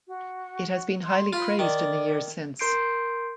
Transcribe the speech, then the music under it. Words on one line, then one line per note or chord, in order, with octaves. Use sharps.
It has been highly praised in the years since.
F#4
C6
F4 B5
D#3 D5
A#4 C6 G6 C7 D7